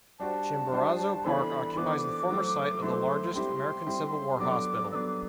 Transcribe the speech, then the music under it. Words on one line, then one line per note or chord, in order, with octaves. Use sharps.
Chimborazo Park occupies the former site of the largest American Civil War Hospital.
G3 D4 F#4 C5 A5
G3 D4 F#4 C5
E3 B3 D4 A4 C5 B5 C6
E3 B3 D4 A4 C5 D6
F#3 A3 E4 A4 C5
F#3 A3 E4 A4 C5 C6
G3 C4 E4 G4 C6
G3 C4 E4 G4
F#3 B3 D4 A4 D6
F#3 B3 D4 A4 D6 E6